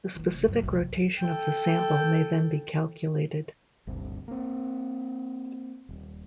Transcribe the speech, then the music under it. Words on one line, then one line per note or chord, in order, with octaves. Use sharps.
The specific rotation of the sample may then be calculated.
E3 A3
F1
B1 F#2
C2 A2
A4 G5
G1 D2 C3
A#3 C4
D#1